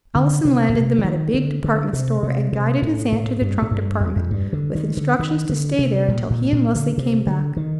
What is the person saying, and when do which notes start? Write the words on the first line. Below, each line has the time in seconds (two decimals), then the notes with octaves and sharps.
Allison landed them at a big department store, and guided his aunt to the trunk department with instructions to stay there until he and Leslie came back.
0.15 D3
0.45 C3
0.70 A#2
0.74 C3
0.98 D3
1.04 D#3
1.34 D3
1.64 D3
1.93 C3
2.23 C3
2.53 C3
2.82 A2
3.12 A2
3.42 G2
3.62 A2
3.71 G2
4.01 F2
4.16 F2
4.31 G2
4.53 D3
4.75 D#3
4.97 D3
5.19 D#3
5.49 D3
5.79 C3
6.08 A#2
6.31 A#2
6.53 A#2
6.75 D3
6.98 C3
7.27 D3
7.57 D#3